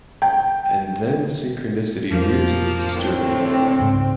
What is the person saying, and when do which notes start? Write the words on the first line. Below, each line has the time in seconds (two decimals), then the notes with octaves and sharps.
And then synchronicity rears its disturbing head.
0.22 G5
2.11 F2 F3 A#3
2.97 A2 D3 C4
3.79 C#2 G#2